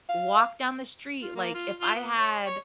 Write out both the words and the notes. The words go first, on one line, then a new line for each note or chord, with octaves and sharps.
walk down the street, like, if I had
F5
F4
A#3
F4
F4
B3
C#5
C#5